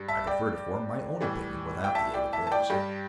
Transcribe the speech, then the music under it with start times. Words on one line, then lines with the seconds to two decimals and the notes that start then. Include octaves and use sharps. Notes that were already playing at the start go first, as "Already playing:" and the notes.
"I prefer to form my own opinion, without the aid of his."
Already playing: G2 G3
0.08 E5 A5
0.27 D5 G5
1.21 A2 E3 G3
1.84 G5
1.95 E5 A5
2.14 D5 G5
2.33 E5 A5
2.47 A5
2.51 D5 G5
2.70 G2 G3 G4